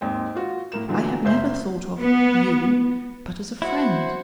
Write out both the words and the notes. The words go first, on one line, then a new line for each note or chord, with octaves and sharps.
'I have never thought of--you, but as a friend.
D#2 G#2 C4
F4 F#4
A2 A#3 E7
A#2 D3 E3 F#3
F#1 C5 E5 G6
B3
E4 F#4 C5